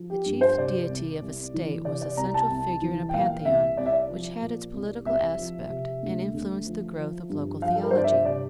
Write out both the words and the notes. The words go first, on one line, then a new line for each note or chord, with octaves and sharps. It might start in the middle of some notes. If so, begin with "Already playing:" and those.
The chief deity of a state was the central figure in a pantheon, which had its political aspect and influenced the growth of local theology.
Already playing: F3
G4
G2
C5
C3 D5
C2
C2
E3
C3 D5
D5
C2 A#5
A5
C2
E3
G5
A#2 F5
C2 E5
C2 D5
E5
D5
F3
A#2
C2
C2 E5
F3
C3
D2
D2
F3
F3
G2
F3 F5
A4
A#4
C5
G2 D5
E5
C3 D5